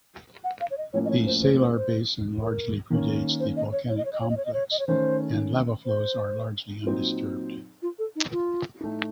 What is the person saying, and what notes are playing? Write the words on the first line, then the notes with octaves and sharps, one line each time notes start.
The salar basin largely predates the volcanic complex and lava flows are largely undisturbed.
F#5
F5
C#5
D#5
A2 F3 A#3 C#4 C#5
D#5
C#5
C5
C5
C5
C5
A#4
D#3 A#3 C#4
C5
D#5
C#5
C#5
D#5
C#5
D#5
C#5
D#5
C#5
D#5
C#5
D#5
C#5
D#3 A3 C#4 C5
C5
A#2 F#3 C4 D#4
F4
A4
D#4
F4
A2 A3 D#4